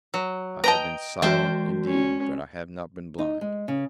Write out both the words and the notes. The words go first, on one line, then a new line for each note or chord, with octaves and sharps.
I have been silent, indeed, but I have not been blind.
F#3
B4 D#5 G5 A5 A#5 D7
E3 G#3 F#4 C5 E5 G5 A5
C#4
D#4
G#3
C#3